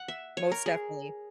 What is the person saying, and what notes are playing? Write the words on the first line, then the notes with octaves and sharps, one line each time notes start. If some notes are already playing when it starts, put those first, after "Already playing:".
Most definitely.
Already playing: F#5
E5
C#5
A#4
G#4